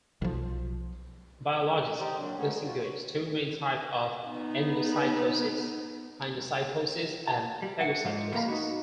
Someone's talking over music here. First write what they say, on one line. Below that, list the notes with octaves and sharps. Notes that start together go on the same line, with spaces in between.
Biologists distinguish two main types of endocytosis: pinocytosis and phagocytosis.
B1 F3
G4 A#4 C5 D5 D#5
F#3 A#3 C4 D4
G#3 A3 B3 C#4 F#4 C#5
G3
F4 F#4
C#5
B3 D#4
A5
G3
F#5
G#2 F3
A2 A#3 A#4 F5 A5 B5
B3 D#4 F#4